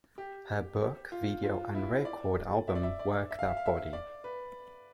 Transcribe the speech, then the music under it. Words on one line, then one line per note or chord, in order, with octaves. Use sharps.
Her book, video and record album Work That Body!
G4
F4
F4
E4
D5
E5
D5
E5
D5
E5
F5
E5
F5
E5
D5
B4